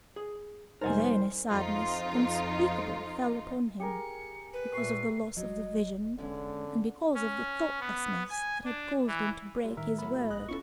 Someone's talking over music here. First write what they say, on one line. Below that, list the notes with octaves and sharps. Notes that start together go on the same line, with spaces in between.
Then a sadness unspeakable fell upon him, because of the loss of the vision, and because of the thoughtlessness that had caused him to break his word.
G#4
F1 G3 D#4 A#4 C5 D#5 F#5 G#5
F2 D#4 F4
G4 G#4 A#4 C#7
B4
A#2 E5 C#6 C7
F1 F#3 D#5
E2 D3 G#3 C#4
C#4
B3
G#5
D4
E3
G3 F4
A2 D#3 A#4 E5
F#3 B3 B5
A#1 D#5 F#6
B3 C#4 E4 F4 A4 C#6